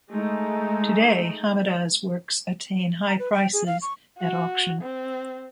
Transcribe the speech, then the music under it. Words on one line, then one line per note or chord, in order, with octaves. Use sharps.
Today Hamada's works attain high prices at auction.
G#3 A3 D#4
A#5
B4
G5
G#4
F5
C#6
F#4
C4